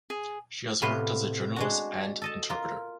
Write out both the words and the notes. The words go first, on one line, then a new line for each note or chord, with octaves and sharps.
She has worked as a journalist and interpreter.
G#4
A2 C3 B3 B4 F5 C6
G#3 D4 F#4
A4 D#5 A5
F4 A#4